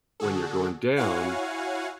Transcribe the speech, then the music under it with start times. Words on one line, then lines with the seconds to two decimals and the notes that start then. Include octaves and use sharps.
When you're going down,
0.20 D3 F#4 G#4 A4
0.96 E4 F#4 C#5 F5 F#5 G#5